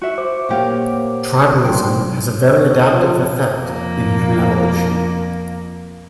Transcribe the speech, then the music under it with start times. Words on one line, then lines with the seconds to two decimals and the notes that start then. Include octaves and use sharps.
Tribalism has a very adaptive effect in human evolution.
0.01 F#4 E5
0.18 C5 D6
0.49 A#2 A#3 G4 C#5 F5 F#5
1.64 D3 F#3 A#3 C5 G5 C6
2.40 C#5
2.90 F3
3.57 F2 A#3